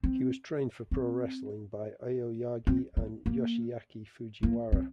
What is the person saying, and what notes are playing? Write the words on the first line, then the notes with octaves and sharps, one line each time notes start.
He was trained for pro wrestling by Aoyagi and Yoshiaki Fujiwara.
C4
C4
C4
B3
A#3
A#3
C4